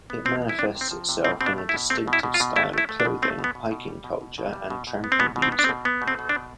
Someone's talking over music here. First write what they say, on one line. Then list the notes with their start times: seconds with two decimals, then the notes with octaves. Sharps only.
It manifests itself in a distinctive style of clothing, hiking culture and tramping music.
0.10 B3
0.25 F3 C4
0.42 B3
0.49 E4
0.58 C3 D4
0.75 C3
0.81 C4
0.91 F3
1.09 C3
1.25 B2 C4
1.41 B2 C4
1.46 D4
1.58 A3
1.69 E4
1.74 B2
1.90 A3 C4
2.08 B2
2.13 E4
2.23 B2
2.34 F4
2.40 B2
2.56 A3 E4
2.73 A3 E4
2.89 A3
3.00 D4
3.05 B2
3.22 A3 C4
3.39 B2
3.44 B3
3.55 B2
3.71 B2
3.88 G3
4.04 B2
4.21 B2
4.38 B2
4.53 G3
4.70 B2
4.87 B2
5.04 B3
5.12 C4
5.19 B2 B3
5.36 B2
5.42 C4
5.52 B3
5.59 D4
5.64 C4
5.69 B2
5.85 B3
6.02 B2
6.08 C4
6.19 B2
6.29 D4
6.35 B2